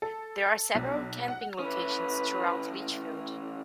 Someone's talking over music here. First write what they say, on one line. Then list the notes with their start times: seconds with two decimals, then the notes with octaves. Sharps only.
There are several camping locations throughout Litchfield.
0.02 A4
0.75 B1
1.28 F#5
1.59 E3 C#4 B4